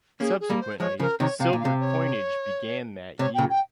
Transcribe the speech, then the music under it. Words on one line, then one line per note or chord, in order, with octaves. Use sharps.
Subsequently, silver coinage began that year.
A#3 C#4 G#4
G#4
G3 A#3
C5
F3 G#3 C#5
C#3 F3 A#4
C3 D#3 C#5
C3 F5
A#2
F5
C3
C#5
C3 C#5
A#2 C#3 G5
G5